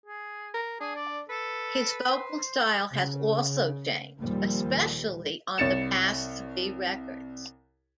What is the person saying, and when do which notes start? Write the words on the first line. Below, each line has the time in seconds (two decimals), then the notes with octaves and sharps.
His vocal style has also changed, especially on the past three records.
0.06 G#4
0.54 A#4
0.80 D4 G#4
0.96 D5
1.29 A4 B4
2.09 C5
2.92 C#3
4.18 D#2 A#2 F3 G3
5.58 C2 C#5 A6 C#7 E7